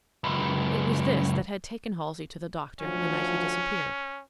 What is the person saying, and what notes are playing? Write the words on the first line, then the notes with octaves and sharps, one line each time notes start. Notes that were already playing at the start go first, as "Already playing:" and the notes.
It was this that had taken Halsey to the doctor the night he disappeared.
C#2 F#2
D2 F3 C#4